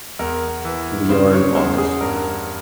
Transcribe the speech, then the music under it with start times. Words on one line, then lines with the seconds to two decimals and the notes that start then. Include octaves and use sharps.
We are in August.
0.19 E2 A#4
0.65 E3
1.09 C#3 C5
1.33 C#5
1.55 E2 C5
1.78 G#4
2.01 G2 A#4